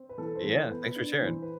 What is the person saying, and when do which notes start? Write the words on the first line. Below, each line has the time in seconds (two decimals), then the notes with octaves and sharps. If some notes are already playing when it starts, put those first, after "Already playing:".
Yeah, thanks for sharing.
Already playing: C4
0.09 B4
0.18 E3 A4
0.36 C5
0.44 E3
0.52 C5
0.70 B3 B4
0.96 D4
1.23 E3 C5
1.42 B4